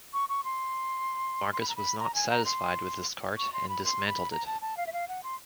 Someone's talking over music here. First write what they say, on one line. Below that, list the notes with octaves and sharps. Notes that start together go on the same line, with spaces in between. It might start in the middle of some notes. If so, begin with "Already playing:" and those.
Marcus was not satisfied with this cart and dismantled it.
C#6
C#6
C6
C6
B5
A#5
B5
A#5
G#5
A#5
C6
C#6
C6
B5
C6
B5
A#5
A5
A5
F5
E5
F5
F#5
C6